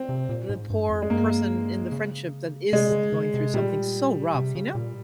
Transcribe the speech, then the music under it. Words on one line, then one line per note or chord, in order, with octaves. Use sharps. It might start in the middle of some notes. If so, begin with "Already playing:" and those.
the poor person in the friendship that is going through something so rough, you know?
Already playing: C4
C3
A#2
G#2
G2
F2
G#3
G2 A#3
C#3
C3 G#3
C3
C#3
C#3
C3
A#2 G3
C3
C#3
A#2